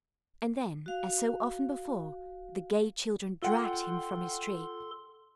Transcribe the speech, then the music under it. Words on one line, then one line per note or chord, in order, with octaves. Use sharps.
And then, as so often before, the gay children dragged him from his tree.
F#4 F5
F4 A4 F#5 G5 C6